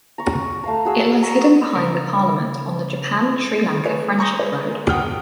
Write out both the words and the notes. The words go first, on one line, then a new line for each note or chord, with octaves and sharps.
It lies hidden behind the Parliament on the Japan Sri Lanka friendship road.
A#5 C#6
A3 F5 A#5
F#4 G#4 E6
A#5 C#6 E6
C#3 A#4
A3 G#4 B4 C#5
A#5 C6 C#6 D#6 G6 A#6
G#4 B4 C#5
G#3 A#3
G#1 B2 F#5 G5 D#6 F6